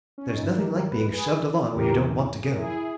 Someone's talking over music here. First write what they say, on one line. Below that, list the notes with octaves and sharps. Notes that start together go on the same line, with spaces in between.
There's nothing like being shoved along when you don't want to go.
C#4
D#4
G2 D#3 C#4 E4
G4 A#4
G4 A#4
B4
G#4 B4
E2 C#3 E3 G4 A#4
G#4
A#4
E4 G#4